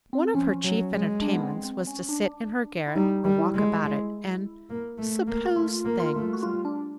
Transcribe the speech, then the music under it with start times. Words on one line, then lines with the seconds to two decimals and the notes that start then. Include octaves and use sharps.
One of her chief entertainments was to sit in her garret, or walk about it, and "suppose" things.
0.13 C4
0.34 F3 C#4
0.64 F#3
0.92 G#3
1.21 D4
1.33 B3
1.43 C4
1.65 C4
1.87 C#4
2.09 D4
2.87 E4
2.96 G3 D#4
3.25 G3
3.39 E4
3.54 G#3
4.69 A#3
4.98 A3
5.27 A#3
5.56 A3 F4
5.85 A#3
6.00 F4
6.14 A3
6.33 F#4
6.43 G3 F4
6.65 D4